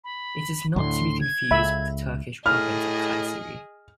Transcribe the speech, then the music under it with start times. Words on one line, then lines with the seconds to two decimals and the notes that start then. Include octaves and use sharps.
It is not to be confused with the Turkish province of Kayseri.
0.04 B5
0.76 D2 A2 D3 C6
1.21 G#6
1.51 C#2 E5 B5
2.46 A2 G#4 D#5 F6